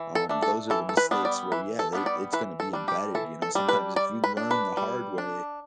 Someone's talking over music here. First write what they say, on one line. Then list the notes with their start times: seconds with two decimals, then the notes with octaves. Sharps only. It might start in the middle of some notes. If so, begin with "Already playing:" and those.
um, those are the mistakes where, yeah, they it's gonna be embedded, you know, sometimes if you learn the hard way,
Already playing: E3
0.15 A4
0.29 A3 D4
0.42 A4
0.70 E3 A4
0.89 A4
0.97 B4
1.11 G3 B3 D4
1.25 D5
1.52 E3 B4
1.79 A4
1.93 G3 B3 D4
2.06 D5
2.33 E3 B4
2.60 A4
2.73 G3 D4
2.88 G4
3.15 E3 A4
3.42 A4
3.55 G3 D4
3.69 B4
3.96 G3 D5
4.24 B4
4.37 D4
4.51 B4
4.77 G3
5.18 D4